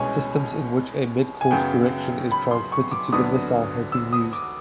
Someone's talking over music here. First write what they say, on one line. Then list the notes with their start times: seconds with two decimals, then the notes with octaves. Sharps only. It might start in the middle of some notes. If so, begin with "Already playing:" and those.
Systems in which a mid-course correction is transmitted to the missile have been used.
Already playing: C2 B2 G#3 C#4 G#5
1.41 G#5
1.51 F#2 C#3 F#3 B3 G5
2.32 B5
2.51 C6
2.72 C#6
2.92 D6
3.12 D2 D3 F#3 B3 D4 D#6
3.92 E6
4.13 D#6
4.33 D6